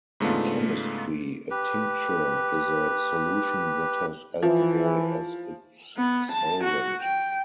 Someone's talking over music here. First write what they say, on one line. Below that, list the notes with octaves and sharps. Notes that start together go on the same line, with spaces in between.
In chemistry, a tincture is a solution that has alcohol as its solvent.
G#2 C#3 A3 B3 D4 F4
G4 B4
E3 F3
B3
A5
F#4
G5